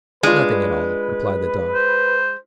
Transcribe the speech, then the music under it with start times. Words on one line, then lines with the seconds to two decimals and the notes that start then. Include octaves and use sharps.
"Nothing at all," replied the Dog.
0.23 G#3 D4 F4 B4
1.75 C5